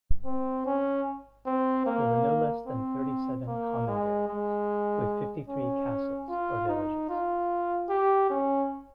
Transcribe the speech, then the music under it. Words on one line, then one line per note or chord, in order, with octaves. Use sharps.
There were no less than thirty-seven "Commanderies", with fifty-three castles or villages.
C4
C#4
C4
A#3
C4
A#3
G#3
G#3
C#4
F4
D#4
F4
G4
C#4